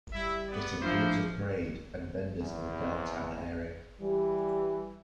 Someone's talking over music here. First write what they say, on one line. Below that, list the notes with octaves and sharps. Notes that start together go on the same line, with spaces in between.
It includes a parade and vendors in the downtown area.
G3 E4 E5
B3 D5
F3 A#3 D4 E4 C5
E2
E3 G3